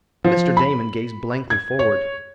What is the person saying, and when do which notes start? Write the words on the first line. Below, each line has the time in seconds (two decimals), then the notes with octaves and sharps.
Mr. Damon gazed blankly forward.
0.24 F3
0.57 B5
1.50 G#6
1.79 C#5